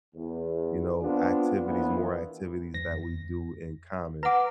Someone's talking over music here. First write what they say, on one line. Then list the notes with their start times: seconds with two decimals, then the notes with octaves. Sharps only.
you know, activities more activities that we do in common,
0.15 E2
1.02 B3 C4 D4 F4
1.66 A#1 A#2 E3 B3 F4
2.74 F2 A#6
4.23 B4 F#5 A#5 D6